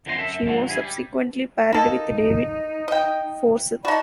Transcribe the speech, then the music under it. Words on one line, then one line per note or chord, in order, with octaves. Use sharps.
She was subsequently paired with David Forsyth.
F2 D3 E3 D#4 A4 C6
F#2 A4 E5
G#2 D3 F3 F#3
G2 E4 G#4
G3
A#3 D#4 A4
D#5 G5
D#4 F#4 D5 A5 B5